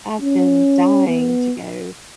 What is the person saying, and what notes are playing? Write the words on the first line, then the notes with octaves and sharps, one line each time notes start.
I've been dying to go.
C#4
B3